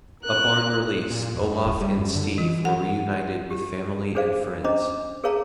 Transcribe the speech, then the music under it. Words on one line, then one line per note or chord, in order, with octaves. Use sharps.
Upon release, Olaf and Steve were reunited with family and friends.
A#4 F#6
A#2
F2
G2
D#1
G3
F#2
D3
E3
F#5
G4
D4 G#4 C5 D5 F5
C#4 D4 C5 D#5 A#5 D6
G#4 A#4 C#5 F5 A5 A#5